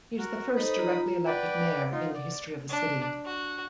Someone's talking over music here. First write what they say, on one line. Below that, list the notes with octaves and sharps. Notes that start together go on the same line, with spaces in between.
He is the first directly-elected mayor in the history of the City.
F#4 A#4
D#4 A4 B4 C5 B5 D#6
F4 A#5
B4 D5 F#5 G5
D#4 F4
D5
D4
F#4